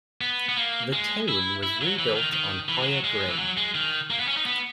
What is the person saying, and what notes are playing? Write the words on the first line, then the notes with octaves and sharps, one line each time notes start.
The town was rebuilt on higher ground.
B3
B3
A#3
G#3
E4
E4
F#3
E3
D#3
D#3
E3
G#3
F#3
G#3
E3
F#3
G#3
D#3
A#3
B3
C#4
D#4
B3